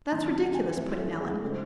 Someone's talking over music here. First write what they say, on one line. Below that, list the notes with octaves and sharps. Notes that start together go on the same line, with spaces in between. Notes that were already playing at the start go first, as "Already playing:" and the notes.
"That's ridiculous!" put in Ellen.
D#3 F#3 C4 D#4 C6
A5
F#5
G#5
F#3 A3 C4 E4 E5
A4
G#4
C#3 G#3 D#4 A4
C5